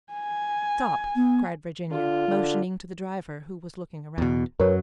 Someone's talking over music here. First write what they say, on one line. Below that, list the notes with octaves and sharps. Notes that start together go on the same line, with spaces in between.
"Stop!" cried Virginia, motioning to the driver who was looking around.
G#5
B3
D3 F4
D3
E2 B2
F#2 F#3 A#4 B4 C#5